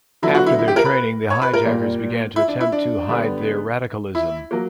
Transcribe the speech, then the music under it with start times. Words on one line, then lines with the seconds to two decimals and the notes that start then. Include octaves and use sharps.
After their training, the hijackers began to attempt to hide their radicalism.
0.22 D3 F#3 B3 E4
0.35 F#4
0.46 E4
0.59 E4
0.68 G4
0.76 A#4
0.85 B4
1.30 C#5
1.42 B4
1.53 A#4
1.65 A#2 G3 A#3
2.36 E4
2.48 D4
2.60 E4
2.72 D4
3.08 D3 G3 B3
4.15 E4
4.51 F#3 A#3